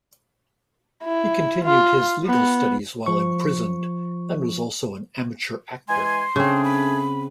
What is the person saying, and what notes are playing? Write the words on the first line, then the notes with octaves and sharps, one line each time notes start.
He continued his legal studies while imprisoned, and was also an amateur actor.
E4
F4
B3
F3 C#6
E3 G#3 G#5 C6
C#3 A3 C4 D4 G#4
B5